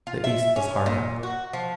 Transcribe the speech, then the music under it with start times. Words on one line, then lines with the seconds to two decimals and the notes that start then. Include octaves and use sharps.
The East was hard up.
0.07 F4
0.24 E5
0.56 C#4
0.86 A#2
1.23 F#4
1.53 F3